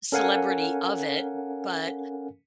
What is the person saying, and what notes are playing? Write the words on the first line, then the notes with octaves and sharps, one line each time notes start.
celebrity of it. But,
C#4 A4 A#4 F5 F#5 G#5